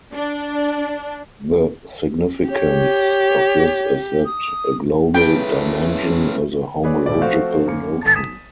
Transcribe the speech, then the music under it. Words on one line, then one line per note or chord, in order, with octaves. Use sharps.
The significance of this is that a global dimension is a homological notion.
D4
G4 C#5
D#6
C#3 E3 A3 C#4 B4 G5
G#4 B4 C#5 D5
B1 A2 A3 D5
F3 A3 C4 F#4 C5 F5
F#2 A#3 C#7
G1 D3 A5 A6
D#6 B6 E7